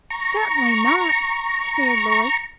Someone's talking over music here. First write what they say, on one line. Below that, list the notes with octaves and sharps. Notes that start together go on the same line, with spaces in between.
"Certainly not," sneered Louis.
A#5 C#6